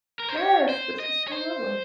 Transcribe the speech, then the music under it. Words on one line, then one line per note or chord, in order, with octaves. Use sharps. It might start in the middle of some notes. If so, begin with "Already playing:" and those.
Yes, this was so lovely.
A#4
C5
C#5
C5
D#5
C#5
C5